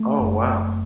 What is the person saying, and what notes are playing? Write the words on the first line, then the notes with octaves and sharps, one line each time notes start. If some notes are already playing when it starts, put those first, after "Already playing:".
Oh, wow.
Already playing: A3
F#1